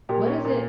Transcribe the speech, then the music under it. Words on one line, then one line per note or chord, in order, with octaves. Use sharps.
What is it
A#2 G4
C#4
A#2